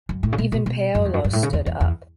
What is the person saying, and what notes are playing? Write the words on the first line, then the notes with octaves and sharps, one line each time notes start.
Even Paolo stood up.
F#2
A2
C#3
B2
B2
B2
F#2
E2
F#2
G2
A2
C#3
E2
E2
E2